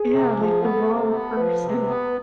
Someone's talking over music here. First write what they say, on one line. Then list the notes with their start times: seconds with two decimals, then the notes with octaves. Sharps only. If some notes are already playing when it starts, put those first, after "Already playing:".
Yeah, like the wrong person.
Already playing: G#4
0.11 C3
0.36 F3
0.61 B3 A4
0.87 C3
1.11 B3
1.37 F3 B4
1.63 C3
1.87 B3